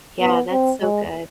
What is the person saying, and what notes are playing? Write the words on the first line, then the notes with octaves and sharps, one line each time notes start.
Yeah, that's so good.
B3
C4
G#3